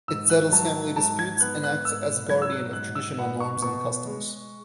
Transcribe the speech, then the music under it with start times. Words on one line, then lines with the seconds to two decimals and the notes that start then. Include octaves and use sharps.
It settles family disputes and acts as guardian of traditional norms and customs.
0.08 G#2 E6
0.30 F#6
0.52 F#3 A5
0.96 G#2 A5
1.19 G#6
1.41 B3 F#6
1.64 F#6
1.85 G#2 E6
2.29 F#3 G#6
2.42 E6
2.52 F#6
2.73 G#2 F#6
2.95 E6
3.18 B3 F#5
3.40 C#6
3.62 B2 C#6
4.07 G#3